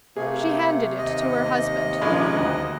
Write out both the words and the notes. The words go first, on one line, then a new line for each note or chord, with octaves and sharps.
She handed it to her husband.
C3 A3 A#3 G#4
D#2 D#5
A#1 C#3 G#3
D2